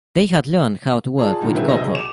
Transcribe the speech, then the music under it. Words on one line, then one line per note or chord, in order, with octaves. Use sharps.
They had learned how to work with copper.
F4 G#4 D5 A5
A#2 D3 D#3 G3 D#4 F4
C4 D#4 G#4 B4 E5
B1 D#5 E5 A#6
G#4
D6 E7